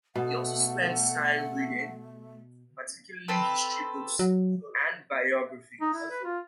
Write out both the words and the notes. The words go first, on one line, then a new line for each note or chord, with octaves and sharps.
He also spends time reading, particularly history books and biographies.
B2 A3 F#5
C4 A4 B4
F#3
D#4
E4
B4
F4